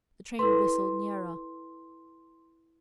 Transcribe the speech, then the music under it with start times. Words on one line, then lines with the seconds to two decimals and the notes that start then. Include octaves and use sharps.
The train whistled nearer.
0.39 E4 A4 B4 C6